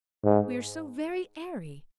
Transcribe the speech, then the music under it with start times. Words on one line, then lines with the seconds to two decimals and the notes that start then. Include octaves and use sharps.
We are so very airy!
0.24 G#2